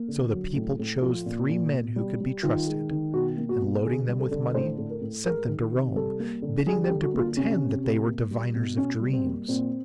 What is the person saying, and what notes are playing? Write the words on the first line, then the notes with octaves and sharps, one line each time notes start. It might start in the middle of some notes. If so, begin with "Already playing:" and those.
So the people chose three men who could be trusted, and, loading them with money, sent them to Rome, bidding them to pretend that they were diviners of dreams.
Already playing: A#3
D3
F#3
A2
A2
F3 F4
A#2
A#2
B2
G3
G3
D#3 F4
G#3
D#3
B2 F#4
A#3
F#4
B2
D3 G#4
G3
A4
D3
A2 C5
A2
A#4
A2
G#3 A#4
D#3
C3
G3 A4
A#3
D3
G3 G#4
G4
D3
F#4
A#3
F4
C3 C#4
C3
C3
A#3
G3
B2
B2 C#4
G3
C4
A#3
A#2 C4